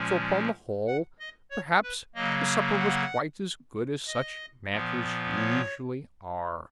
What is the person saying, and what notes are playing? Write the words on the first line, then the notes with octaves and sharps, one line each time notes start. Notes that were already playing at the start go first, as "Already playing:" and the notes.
So upon the whole, perhaps, the supper was quite as good as such matters usually are.
Already playing: A#2 F3 G#3 C#4
F#5
D#5
C#5
B4
C#3 F#3 A#3 D#5
F#5
D#5
A#2 F3 B3
C#5